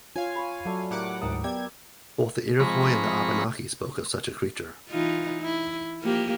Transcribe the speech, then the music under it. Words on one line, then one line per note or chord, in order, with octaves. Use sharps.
Both the Iroquois and the Abenaki spoke of such a creature.
F4 C#5 F5 G#5
B5 C#6
F#3 A3 D5 F#5
A2 G4 A#4 F#5 D6
D2 G#2 A#4 G5 A5 D#6
B3 G4 D5 E5 G5 G#6
F3 G#3 C4 A#5 B5 C#6
E3 D#4 F4
E4
F3 A#3 G4